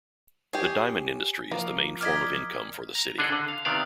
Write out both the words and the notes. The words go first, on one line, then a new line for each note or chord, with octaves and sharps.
The diamond industry is the main form of income for the city.
G4 G#4 C#5
F3 A#3
D5 D#5 A#5 F6 G#6 B6
A#5
D3 D4 G#4 A4 D#5
D3
F5
C3 D#3 B3 D5 F5